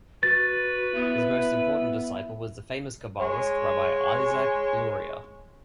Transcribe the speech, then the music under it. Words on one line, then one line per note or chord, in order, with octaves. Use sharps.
His most important disciple was the famous Kabbalist, Rabbi Isaac Luria.
F#4 B4 A6
B3 E4
G#3 C#5